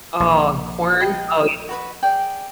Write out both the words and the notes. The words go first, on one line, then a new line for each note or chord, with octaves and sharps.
oh, corn? Oh
A#1 C#6
D#5 G5 B5
F#4 B4 B5
G#4 D5 G5